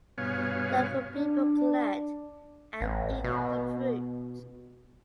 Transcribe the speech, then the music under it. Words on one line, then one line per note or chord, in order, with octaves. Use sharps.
Local people collect and eat the fruit.
G2 B2 B3 C#5 F5 G#5
D4
A1
B2